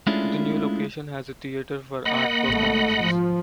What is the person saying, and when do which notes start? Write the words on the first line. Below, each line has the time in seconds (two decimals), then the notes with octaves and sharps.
The new location has a theater for art performances.
0.07 G#3 A3 C#4 D4 E4 F4
2.05 A#3 D#5 F#5 B5
2.46 G#1 A3
3.04 F3